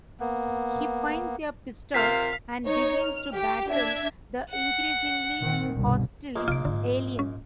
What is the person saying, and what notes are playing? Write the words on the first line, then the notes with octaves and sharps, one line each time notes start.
He finds a pistol and begins to battle the increasingly hostile aliens.
A#3 B3
C3 F4 A#4 F5 B6
D#4 C#5
F6
G4
D4 E5 G#6
F#5
A#2 D#3 C4
G1 C2 B2
A#1 G#3 A#3
C3 D#4 F4 D7
G#2 D3 C4
C#4